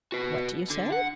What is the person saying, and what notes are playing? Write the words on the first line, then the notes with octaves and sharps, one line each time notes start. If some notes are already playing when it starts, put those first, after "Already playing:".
"What do you say?"
F#4 B4
D3
F#5